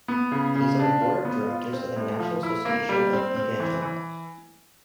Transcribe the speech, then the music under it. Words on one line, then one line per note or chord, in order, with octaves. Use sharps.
He is on the board of directors of the National Association of Evangelicals.
B3
C#3
C#3
D4
F4
B3
F4
C4
A2
F3
E4
A#3
G3
C4
C4
E3
E3